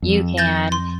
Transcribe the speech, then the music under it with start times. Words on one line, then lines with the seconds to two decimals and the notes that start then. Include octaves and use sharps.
you can
0.02 F2
0.38 G6 A6 A#6
0.72 C6